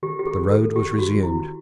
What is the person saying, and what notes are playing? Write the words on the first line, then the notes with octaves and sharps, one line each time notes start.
The road was resumed.
D#3 G4
G4
G#4
A4
G4
F#4
E4